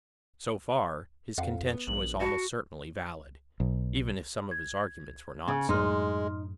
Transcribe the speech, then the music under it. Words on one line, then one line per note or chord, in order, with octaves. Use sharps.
So far, his contention was almost certainly valid, even if some of his arguments were not so.
F2 F5 F#5
B3
A#1 F#7
F#4 A5 B5 C#7
B1
G#6
C#3
F#2 A2 G#3 D#4 C6 F6